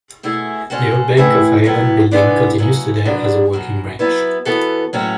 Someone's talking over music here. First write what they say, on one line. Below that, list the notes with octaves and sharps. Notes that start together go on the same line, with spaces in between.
The old Bank of Ireland building continues today as a working branch.
B2 A3 E4 G#4
G#3 C#4 F#4 A4
A2 E3 A3 E4 B4
A2 F#3 B3 E4
E3 G#3 B3 D4
C#3 F#3 A3
D3 F#3 B3 D4
B2 F#3 C#4
F#3 B3 E4 B4
E3 B3 F#4 A4
A2 F#3 A3 C#4 F#4